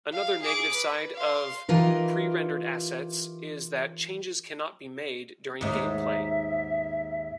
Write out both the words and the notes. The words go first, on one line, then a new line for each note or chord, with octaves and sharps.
Another negative side of pre-rendered assets is that changes cannot be made during gameplay.
F5
G#4 D6
B4
F5 C6
E3 D#4 F4 G4 A#4 B4
D#2 G#2 E5